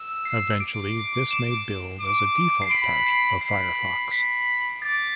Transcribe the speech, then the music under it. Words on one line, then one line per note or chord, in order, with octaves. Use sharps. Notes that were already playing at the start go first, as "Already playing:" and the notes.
Eventually, this may build as a default part of Firefox.
Already playing: E6
C7
D6 D7
E7
D6
C7
B5 D7
C7
B5 C7
B5 B6
D6 A6